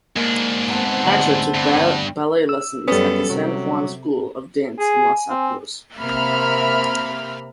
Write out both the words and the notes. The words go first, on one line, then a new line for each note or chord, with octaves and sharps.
Hatcher took ballet lessons at the San Juan School of Dance in Los Altos.
G#2 A#3 D4
B3 C4 A5
D2 D5 F#5
G2
E6
F#2 G3 B3 C#4 A4
C3 F#3
G#4 G#5
C4
C3 A#3 E5 B5 F6